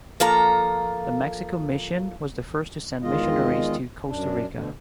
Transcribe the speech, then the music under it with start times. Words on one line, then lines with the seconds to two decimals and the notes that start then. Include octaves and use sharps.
The Mexico Mission was the first to send missionaries to Costa Rica.
0.20 F3 A#3 A4 A#5
3.02 E2 D#3 G#3 F4 D#5
4.08 F#2 D4
4.52 D2 B2 D3